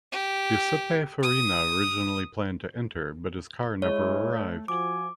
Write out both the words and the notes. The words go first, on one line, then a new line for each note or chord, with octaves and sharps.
Giuseppe Farina originally planned to enter, but his car never arrived.
G4
D#6
G#3 E4 C#5
A3
F3 F#4 G#5 D6